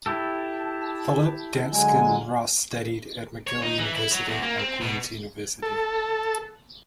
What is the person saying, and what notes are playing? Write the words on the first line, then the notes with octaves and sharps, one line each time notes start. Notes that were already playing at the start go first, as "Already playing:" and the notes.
Philip Dansken Ross studied at McGill University and Queen's University.
E4 G4 A4 A5
D3 F#3 G#3 G#5
C#5
D#4
E3
E4
F#3
E2
A#3
C4
B2
A4